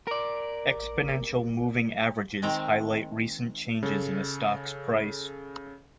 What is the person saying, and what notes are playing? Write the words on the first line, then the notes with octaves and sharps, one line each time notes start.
Exponential moving averages highlight recent changes in a stock's price.
A#4 D5
D#3 G#3 C4 A#5
C#3 A4